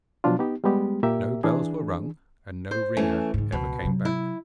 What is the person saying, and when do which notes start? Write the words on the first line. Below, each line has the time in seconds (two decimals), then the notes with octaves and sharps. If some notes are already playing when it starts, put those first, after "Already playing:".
No bells were rung, and no ringer ever came back.
0.24 B2 F3 F#3 D4 F4
0.39 B3 D#4 G4
0.64 G3 G#3 B3 G4
1.03 A#2 A#3 G4 A#4 E5
1.44 E3 D4 G#4
2.71 C5
2.97 E3 A3 C#4
3.34 G#2 D#3
3.52 C#2 B2 F3
3.83 C3 F#3
4.05 E4